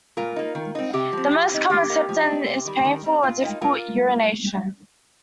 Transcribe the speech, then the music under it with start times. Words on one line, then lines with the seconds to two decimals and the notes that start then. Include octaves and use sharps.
The most common symptom is painful or difficult urination.
0.17 A#2 F4 A#4
0.36 A#3 D#4
0.55 D#3
0.75 C4 D#4
0.93 C3 G4
1.13 F3 C4
1.31 F3
1.51 C4 D#4
1.70 D#3 G4
1.90 A#3 D#4
2.09 F3
2.27 C4 D#4
2.47 C3
2.65 D#3 G3
2.85 D#3
3.04 G3 C4
3.22 A#2 F4
3.42 A#3 D#4
3.62 A#2 F4 A#4